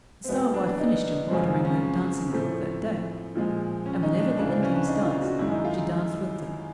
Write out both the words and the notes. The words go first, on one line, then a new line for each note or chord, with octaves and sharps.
The Star-wife finished embroidering her dancing-cloth that day; and whenever the Indians danced she danced with them.
C4
E2 B2 G#3 B3
D4
D#4
F#2 C#3 F3 G#3 C4
C#4
A2 F3 A3 C4
A#2 F3 G#3
C#4
D#4
D4
D2 C#3 E3 D4
C4
C#4
D4
D#4
F4
F#4
F#2 D#3 G#3 E4
D#4
F4